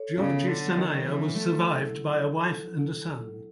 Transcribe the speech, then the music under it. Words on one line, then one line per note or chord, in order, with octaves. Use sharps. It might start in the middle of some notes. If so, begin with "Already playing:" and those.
Giorgi Sanaia was survived by a wife and a son.
Already playing: A4 C#5
C#3 B3
D3 F#3
D#3 D4
E3 F#3
A3 A4
E4